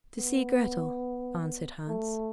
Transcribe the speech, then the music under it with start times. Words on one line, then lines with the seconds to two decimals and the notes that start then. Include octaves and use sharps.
'To see Grettel,' answered Hans.
0.17 B3
1.88 A3